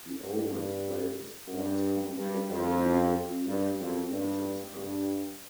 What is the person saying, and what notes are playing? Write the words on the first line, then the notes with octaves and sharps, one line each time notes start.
He always played a sports commentator, usually appearing as himself.
G2
G2
G2
F2
G2
F2
G2
G2